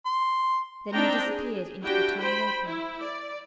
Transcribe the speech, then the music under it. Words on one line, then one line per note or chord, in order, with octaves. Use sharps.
Then he disappeared into a tiny opening.
C6
C4 D4 D#4 G5 A#5
G#4
D4 E4 F#4 G4 G5
C5 G5 B5
E4
D5